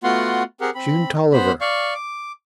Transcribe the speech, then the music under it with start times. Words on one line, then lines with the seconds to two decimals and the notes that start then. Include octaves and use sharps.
"June Tolliver."
0.04 A3 B3 F4 F#4 F#5 C6
0.61 C4 G4 G#4 A#4 F#5
0.75 C4 B5
1.33 B3 C5 B5
1.61 D5 F5 C#6
1.95 D6